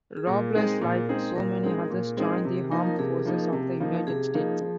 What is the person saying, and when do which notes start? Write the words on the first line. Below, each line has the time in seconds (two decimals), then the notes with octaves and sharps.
Robles, like so many others, joined the Armed Forces of the United States.
0.17 G#4
0.27 A#2 A#4
0.55 G#3 C4 D#4 G#4
0.81 A#2
1.09 G#3 C4 D#4 G#4
1.36 A#2 A#4
1.63 G#3 C4 D#4 G#4
1.90 A#2
2.17 G#3 C4 D#4 G#4
2.45 C3
2.71 F3 A#3 D#4 A#4
2.87 A#4
2.99 C3 G#4
3.25 F3 A#3 D#4
3.53 C3
3.80 F3 A#3 D#4
4.07 C3 G#4
4.34 F3 A#3 D#4
4.61 F3